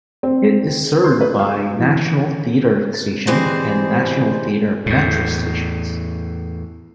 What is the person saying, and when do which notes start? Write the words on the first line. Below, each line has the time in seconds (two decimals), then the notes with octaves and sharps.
It is served by National Theatre Station and National Theatre metro stations.
0.23 C4
1.04 C6
1.21 B4
1.39 F5
1.79 E3
3.27 E3 G3 G#3 C4 G#4 C5
4.86 E2 A2